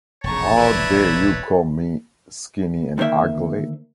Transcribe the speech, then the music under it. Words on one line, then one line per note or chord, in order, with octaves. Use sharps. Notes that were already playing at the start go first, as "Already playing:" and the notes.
How dare you call me skinny and ugly?
E1 A#1 C#3 C#5 A5 A#5 C#6
E4 B4 D5 E5 A#5
D2 D#3 F#3 A#3 E5